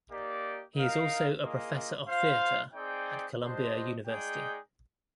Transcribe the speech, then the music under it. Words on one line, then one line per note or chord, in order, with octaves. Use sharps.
He is also a professor of theater at Columbia University.
A#3 D#4 G4 D5
D#4 A#4 F5
A#3 F4 G#4 D#5
F4 C5 F5
C4 D#4 G#4 D5 G5
D4 G4 C5 D#5
G#3 D#4 G#4 D5 G5